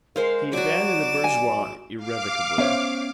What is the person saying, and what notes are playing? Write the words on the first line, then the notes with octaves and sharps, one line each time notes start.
He abandoned the bourgeoise irrevocably.
G#3 A#4 C5 F5
F#3 F#4 D5 D6 E7
G#5
F5 D6
B3 C#4 C5 C#5 E5